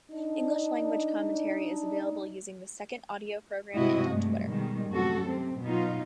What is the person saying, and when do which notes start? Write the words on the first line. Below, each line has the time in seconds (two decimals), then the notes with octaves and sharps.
English language commentary is available using the second audio program and on Twitter.
0.11 D4 D#4
3.75 G2 C3 G#3 E4 F#4 D#5
4.11 G2 G#3 A3
4.48 B2 D#3 G3 G#3
4.89 F#2 A2 C3 F#4 A4
5.24 C3 C4
5.62 B2 F#3 B3 D#4 F4